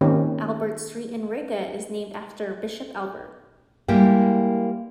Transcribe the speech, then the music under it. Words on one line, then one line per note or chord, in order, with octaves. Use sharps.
Albert Street in Riga is named after Bishop Albert.
D#3 A#3 C4 C#4 G4
G3 G#3 A#3 E4 G4